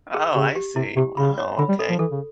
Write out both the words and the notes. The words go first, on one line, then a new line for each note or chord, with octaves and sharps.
Oh, I see. Wow, okay.
G#4
C#3 G4
G4
C3 E4
C3 G4
C#3 B5
C#5
D3 B5
G3
A4
F3
E3 A4
C#3